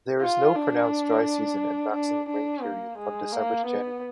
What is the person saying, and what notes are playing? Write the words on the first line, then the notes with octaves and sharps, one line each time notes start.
There is no pronounced dry season and maximum rain period from December to January.
F4
D4
D4
D4
A#3
G#3
A#3
B3